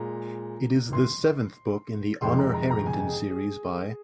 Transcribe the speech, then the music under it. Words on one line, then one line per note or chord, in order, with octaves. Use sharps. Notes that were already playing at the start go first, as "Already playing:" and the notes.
It is the seventh book in the Honor Harrington series by.
Already playing: A#2 G#3 A#5
C6
F2 C3 D#3 G#3 C6
A#5
A#5
A#5
G#5
G#4
G#4